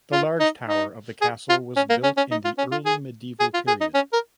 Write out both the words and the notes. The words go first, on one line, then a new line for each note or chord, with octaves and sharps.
The large tower of the castle was built in the early medieval period.
F4
D#4
D#4
G#4
F4
C#4
A#3
C#4
C#4
D#4
F4
C#4
F4
G#4
G#4
F4
G#4
D#4
C#4
A#4